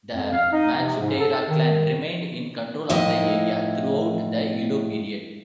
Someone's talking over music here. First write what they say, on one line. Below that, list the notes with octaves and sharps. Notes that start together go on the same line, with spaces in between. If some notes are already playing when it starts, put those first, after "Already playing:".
The Matsudaira clan remained in control of the area throughout the Edo period.
F2
F5
D#4
C3
G#2
A4
D#3
A2 F3 D#4 E4 D#5